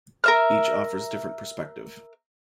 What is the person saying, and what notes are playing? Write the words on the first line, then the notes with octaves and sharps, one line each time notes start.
Each offers different perspective.
A#4 E5 F6